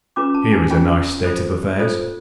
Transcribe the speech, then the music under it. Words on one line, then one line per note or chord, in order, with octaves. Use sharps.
Here is a nice state of affairs.
C#4 F4 G#4 B4 D6
A5
G#5
C#4 F4 G#4 B4 G5
F4 A4 C5
F4 A4 C5